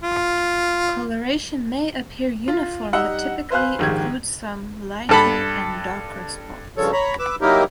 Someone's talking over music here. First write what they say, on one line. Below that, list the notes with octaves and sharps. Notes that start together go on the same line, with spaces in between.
Coloration may appear uniform but typically includes some lighter and darker spots.
F4
F4
G3 D#4 F#5 E6
B4 C5 F5 G#5 F#6
A#1 G#2 D#3 G3 G#3 G#6
G2 A4 B5
G2 C#3 F3 A4 C#5
C#5 A#5 B5
B4 D6 E6
F#3 A#3 D#4 E4 G4 A#4